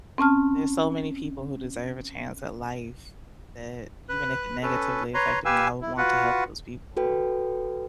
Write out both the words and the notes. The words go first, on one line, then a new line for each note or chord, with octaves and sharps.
there's so many people who deserve a chance at life that even if it negatively affected me, I would want to help those people.
C4 C#4 A5 F6
B4 F#6
C#4 A4 B4
B4 C#5 A#5 C6
G4 B4 F5 G5 G#5 E6
E4
F4 F#4 B4 F#5
F#4 A4 B4 G5